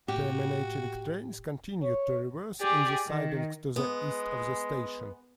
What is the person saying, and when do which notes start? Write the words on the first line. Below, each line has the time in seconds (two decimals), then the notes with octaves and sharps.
Terminating trains continued to reverse in the sidings to the east of the station.
0.08 A2 A#3 F#4 G4
1.82 C#5
2.60 G4 G#4 D5
3.06 D#3
3.76 G#3 B3